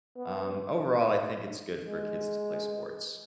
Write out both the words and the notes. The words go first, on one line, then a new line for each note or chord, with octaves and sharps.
um, overall I think it's good for kids to play sports.
B3
G#3